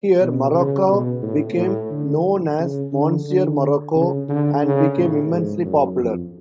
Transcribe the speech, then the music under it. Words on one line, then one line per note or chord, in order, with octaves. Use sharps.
Here Marocco became known as "Monsieur Moraco", and became immensely popular.
B2
C#3
B2
A2
A2
D3
C#3
D3
D3
C#3
D3
C#3
A2
G#2
F#2
F2